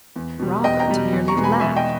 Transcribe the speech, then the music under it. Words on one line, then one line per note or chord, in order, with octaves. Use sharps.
Robert merely laughed.
E2
B2 G3
E2 D#5 G5
G5 A#5
B2 G3
E2
A#5 C#6
B2 G#3 B3
G#5 B5
E2 E5 G#5
D#5 G5